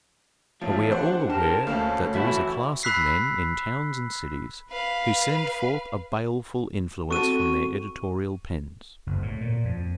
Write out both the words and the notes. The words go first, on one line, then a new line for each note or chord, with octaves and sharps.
But we are all aware that there is a class of men in towns and cities who send forth a baleful influence from their editorial pens.
E2 F3 A3 C#5
D4 G4 C5 F#5
G4 A#4 C5 A5
D2 A3 C#4 B4 F5
E3 F#4 E5 A5 B5
B5 E6 F#6 B6 C7
B4 F5
C4 F#4 A4 C#6 D#7
F#1
A2
A#2
F2